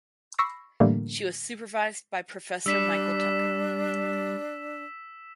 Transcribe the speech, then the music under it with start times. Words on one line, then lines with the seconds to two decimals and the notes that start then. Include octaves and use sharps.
She was supervised by Professor Michael Tucker.
0.39 B5 C#6 D6 E6 A#6 C7
0.80 A2 D3 E3 G3 A3 A#3
2.66 G3 D4 E6 B6 E7